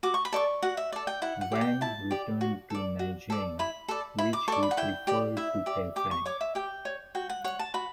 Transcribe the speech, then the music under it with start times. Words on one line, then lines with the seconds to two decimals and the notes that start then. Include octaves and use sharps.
Wang returned to Nanjing, which he preferred to Kaifeng.
0.03 F#4 D6
0.14 C#6
0.25 B5
0.33 A4 D5 C#6
0.62 F#4 F#5
0.77 E5
0.92 A4 D5
1.07 G5
1.22 E4 F#5
1.41 F#5
1.52 G4 D5
1.61 G5
1.81 E4 A5
2.11 G4 D5
2.41 F#4
2.70 A4 D5
2.99 F#4
3.30 A4 D5
3.59 E4 B5
3.88 A4 D5
4.18 E4 B5
4.33 D6
4.48 A4 D5 C#6
4.63 B5
4.71 F#5
4.77 E4 G5
5.07 G4 D5
5.37 E4 E5
5.66 G4 D5
5.96 G4 D6
6.11 C#6
6.26 C#5 D6
6.41 E5
6.55 G4 G5
6.85 C#5
7.15 F#4 G5
7.29 F#5
7.44 C#5 F#5
7.59 A5
7.74 F#4 B5